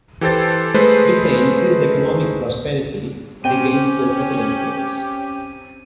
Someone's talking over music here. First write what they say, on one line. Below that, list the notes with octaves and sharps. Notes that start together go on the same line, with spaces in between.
With their increased economic prosperity they gained political influence.
E3 G4 A4 C5 A6
G#3 A3 B4 C5
C4 C#4 G4 G5 D#7